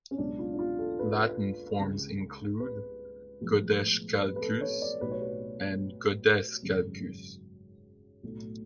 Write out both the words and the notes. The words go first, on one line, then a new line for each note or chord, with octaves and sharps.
Latin forms include "Godeschalcus" and "Godescalcus".
C#4
C#2 B2 F#3 B3 D4
F4
D4
F4
A4
B4
C#2 C#3 G#3
B4
B1 A2 F3 G#3 B3
B4
B4
A4
C#5
D5
B1 A2 F#3 B4
C#5
B4
G#1 F#2 C#3 F#3
B1 A2 F#3 A3